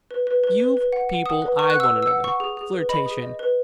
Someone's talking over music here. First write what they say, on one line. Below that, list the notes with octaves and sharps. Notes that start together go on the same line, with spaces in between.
You people eye one another.... Flirtation.
B4
B4
B4
B4
B4
F#5
F#5
F#5 D#6
B4
B4 C#6
F#6
F#5 E6
B4
F#5 E6
F#5 C#6
G#4
G#4
B4
D#5 B5
G#4
D#5
B4